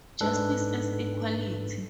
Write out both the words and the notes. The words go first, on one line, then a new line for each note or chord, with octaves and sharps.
Justice as equality?
G#2 D4 A4 B4 F#6